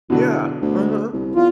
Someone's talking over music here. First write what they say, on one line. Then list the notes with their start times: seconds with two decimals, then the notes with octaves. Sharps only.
Yeah. Uh-huh.
0.10 E2 B2 D3 F#3
0.62 D2
1.13 C2
1.35 E2 F4